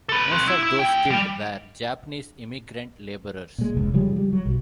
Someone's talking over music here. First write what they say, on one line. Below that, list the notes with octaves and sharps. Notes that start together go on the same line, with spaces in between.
Most of those killed were Japanese immigrant laborers.
A4 B4
C4 F#4
E4
E4
D#2 G5
G3
A#2 G#3
F1 C#2
C#3 F3 G3 G#3
G3
F#3
B1